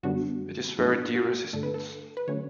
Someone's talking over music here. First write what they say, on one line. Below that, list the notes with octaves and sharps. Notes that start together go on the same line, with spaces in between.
It is very deer-resistant.
F#2 D3 G3 B3 D4 F#4
G2 F#3 A3 D4 E4
F#4
G2 D3 A3 D4 A4
B4
A4
B4
D3 F#3 A3 C#4 C#5